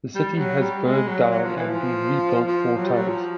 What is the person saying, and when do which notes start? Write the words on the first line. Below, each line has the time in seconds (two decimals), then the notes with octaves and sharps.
The city has burned down and been rebuilt four times.
0.15 G3
0.33 G3
0.37 F#3
0.60 G3
0.84 G#3
1.07 F#3
1.31 F#3
1.43 F3
1.56 E3
1.70 F3
2.46 F3
2.77 F#3
2.85 G3
2.93 F#3
3.08 F3